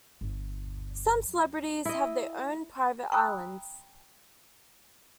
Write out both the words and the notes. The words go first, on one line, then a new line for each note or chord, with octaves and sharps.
Some celebrities have their own private islands.
G1
E4 D#5
G5 A#5 B5 D#6 E6 F#6